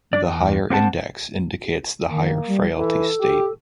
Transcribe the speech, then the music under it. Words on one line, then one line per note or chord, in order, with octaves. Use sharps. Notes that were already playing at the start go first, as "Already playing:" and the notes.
The higher index indicates the higher frailty state.
D4 D5
E2
A#3 C4 F#5 A5
D#3 A#3
G3
E3 A4
G4